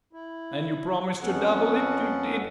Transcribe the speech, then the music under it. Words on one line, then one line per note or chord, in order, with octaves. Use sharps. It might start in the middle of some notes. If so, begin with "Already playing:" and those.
And you promised to double it--you did!
E4
F2 B3 C#4 A4 F#5